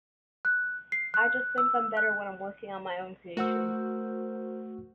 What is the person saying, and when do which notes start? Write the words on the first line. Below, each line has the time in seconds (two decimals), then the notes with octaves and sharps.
I just think I'm better when I'm working on my own creations.
0.45 F#6
0.92 C7
1.14 F#6
1.58 E6
1.97 F#6
3.37 A3 F#4 A#4 C5 F#5 E6